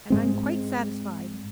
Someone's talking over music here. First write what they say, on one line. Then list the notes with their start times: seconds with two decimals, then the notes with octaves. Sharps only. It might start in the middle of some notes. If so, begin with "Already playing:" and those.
And I'm quite satisfied.
0.10 G#2 G#3 C4